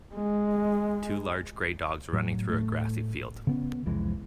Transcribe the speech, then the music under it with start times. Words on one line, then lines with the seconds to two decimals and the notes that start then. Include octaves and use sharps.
Two large gray dogs running through a grassy field.
0.14 G#3
2.13 A2 F#3
2.49 A2 A3
3.47 C#3 B3 C#4
3.86 C2 F2 E3 G#3